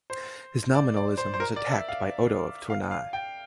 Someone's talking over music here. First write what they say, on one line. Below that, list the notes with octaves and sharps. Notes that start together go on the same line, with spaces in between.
His nominalism was attacked by Odo of Tournai.
C5
D5
D5
C5
C5
A#4
D5
E5
F5
F5
F5
G5